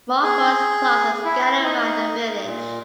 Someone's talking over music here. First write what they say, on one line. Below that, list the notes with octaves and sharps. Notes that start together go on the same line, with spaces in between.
Small forest plots are scattered round the village.
G#4
E4
D#4
A#2